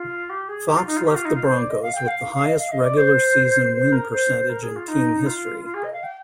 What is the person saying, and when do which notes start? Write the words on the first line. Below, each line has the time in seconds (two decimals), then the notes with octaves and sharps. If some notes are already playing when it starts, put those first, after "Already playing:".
Fox left the Broncos with the highest regular season win percentage in team history.
Already playing: F4
0.29 G4
0.48 G#4
0.67 G4
0.76 F4
0.86 D#4
0.96 F4
1.05 G4
1.15 F4
1.24 D#4
1.34 F4
1.43 C5
1.56 D5
1.69 D#5
1.82 F5
1.94 G5
2.07 F5
2.32 F5
2.45 D#5
2.58 F5
2.71 D#5
2.84 D5
2.96 C5
3.73 C5
3.92 A#4
4.11 C5
4.49 A#4
4.62 G#4
4.75 F4
4.87 D#4
5.26 F4
5.64 F4
5.73 G#4
5.83 D#5
5.93 F5
6.03 G5